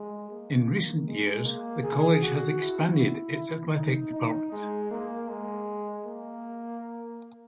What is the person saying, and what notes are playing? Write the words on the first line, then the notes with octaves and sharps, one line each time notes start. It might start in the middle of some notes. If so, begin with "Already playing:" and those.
In recent years, the college has expanded its athletic department.
Already playing: G#3
A#3
G#3
A#3
G#4
F#4
E4
D#4
D#4
G#3
A#3
G#3
A#3